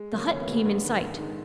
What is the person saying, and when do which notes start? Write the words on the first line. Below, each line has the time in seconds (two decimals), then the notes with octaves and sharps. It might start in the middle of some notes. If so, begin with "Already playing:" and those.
The hut came in sight.
Already playing: G#3
0.12 C#3 F#3 A#3
0.30 D#2 C#4
0.39 B3
0.48 C#3 F#3 A#3
0.57 G#3 B3
0.66 A#1
0.83 G#2 D#3 G#3
1.01 A#1
1.18 G#2 D#3 G#3